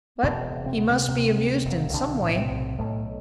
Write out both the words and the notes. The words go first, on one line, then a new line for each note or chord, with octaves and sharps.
But he must be amused in some way.
E1 B2 B3
C3
C4
D2 B3
C3 C4
D2 C3 C4
D2
E1
B1 D3 D4
A2
C3 C4
B1
B1 A2 A3